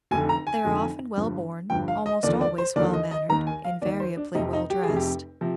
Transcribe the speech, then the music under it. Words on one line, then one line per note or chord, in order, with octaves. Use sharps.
They are often well born, almost always well mannered, invariably well dressed.
F1 F2 D3 G#5
A#5
G#5
F1 F2 D3
G1 G2 F3
G1 G2 F3 G5
F5
D#5
D#2 D3 F3 D5
D5
C5
D#2 D3 F3 D5
D#5
D#5
D#2 D#3 A#5
G#5
F5
D#2 D#3 D5
C5
D4
F1 F2 C3 D#4
D#4
G4
G#4
F1 F2 C3
G4
C3 F3